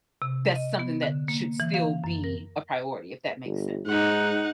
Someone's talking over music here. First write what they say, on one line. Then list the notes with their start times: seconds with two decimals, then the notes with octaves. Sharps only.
that's something that should still be a priority, if that makes sense.
0.22 C3
0.56 D#5
0.79 B3
1.03 D3
1.28 A#3
1.60 E3
1.74 F5
2.04 F#2
2.24 A#4
3.45 G1
3.86 G#2 D#4 F#5